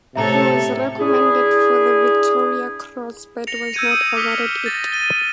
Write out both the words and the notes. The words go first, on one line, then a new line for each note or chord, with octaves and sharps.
He was recommended for the Victoria Cross but was not awarded it.
A2 C3 A4 C#5 E5 A#5
D4 E4 G#4
A#6 C#7 F7
E6 G6 G#6 C#7 D#7
D#6
D6 F6 B6 C#7 G7
A6 A#6
D#7 G7